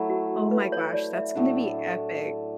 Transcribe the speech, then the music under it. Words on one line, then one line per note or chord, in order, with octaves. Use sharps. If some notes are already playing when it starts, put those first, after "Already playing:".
Oh my gosh, that's gonna be epic.
Already playing: F#3 A3 E4
F#4
B4
C#5
D5
E5
A2 F#3 A3 D4